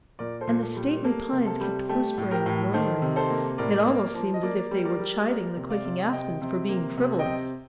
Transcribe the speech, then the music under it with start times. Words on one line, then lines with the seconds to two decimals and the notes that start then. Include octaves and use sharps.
And the stately pines kept whispering and murmuring; it almost seemed as if they were chiding the quaking aspens for being frivolous.
0.19 A#2 A#4 D5
0.41 A4 C5
0.47 A#2
0.62 A4
0.76 G3
1.04 A#3 A4
1.33 C3
1.46 A4
1.61 G3
1.89 A3 G4
2.18 A2
2.31 G4 A#4
2.46 A2
2.73 D#3 A4 C5
3.02 C3
3.16 A4 C5
3.30 A#3
3.58 A2 A#4 D5
3.87 A#3
4.15 F3
4.34 D#5
4.43 A#3 A#4 D5
4.71 G3
4.85 A#4 D5
5.00 G3
5.28 A#3 A#4 D5
5.57 C3
5.70 D5 F5
5.84 C3
6.12 C3 D#5 G5
6.41 C3
6.69 A#3
6.97 C3
7.19 D#5 G5
7.25 C3